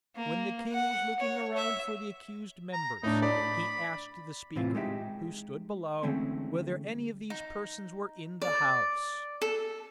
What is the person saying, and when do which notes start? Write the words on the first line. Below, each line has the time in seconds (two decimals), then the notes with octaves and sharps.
When the king was looking around for the accused members, he asked the speaker, who stood below, whether any of these persons were in the house.
0.16 A#3
0.72 F#5
1.20 C#5
1.57 E5
2.73 A#5
3.03 A2 D4 D#4
3.22 D5 B5
4.56 A2 C3 E3 C4 F4
4.75 G#3 D#4 G4 E5
6.03 D3 E3 G#3 A3 C4 C#4
7.30 D#4
8.42 D5
9.42 A4